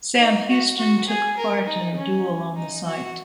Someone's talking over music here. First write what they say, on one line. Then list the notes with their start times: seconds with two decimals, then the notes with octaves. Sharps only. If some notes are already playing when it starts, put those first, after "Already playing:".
Sam Houston took part in a duel on the site.
0.19 D#4
0.48 F#4
0.78 F#4
1.07 G#4
1.37 A#4
1.66 D#4
1.96 C#4
2.56 D#4
2.86 F#4